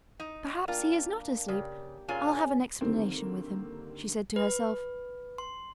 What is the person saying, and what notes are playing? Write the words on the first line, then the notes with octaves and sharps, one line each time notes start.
"Perhaps he is not asleep; I'll have an explanation with him," she said to herself.
D#4
A#3 D4 F4 G5
C#3 G4 D5
A#2 C#4 F4 G#4 G#5
D3 D#3 G3 A#3 C4
B4
C6